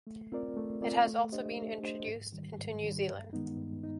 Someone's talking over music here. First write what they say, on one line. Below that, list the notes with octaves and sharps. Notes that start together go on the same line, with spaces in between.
It has also been introduced into New Zealand.
A3
C4 F4 A#4 D5
A3
C4 F4 A#4 D5
A3
D4 G4 C5 D#5
A3
D4 G4 C5 D#5
G#2
D#3 G3
G#2
D#3 G3
G2
D#3 G#3 B3 D#4
G2
D#4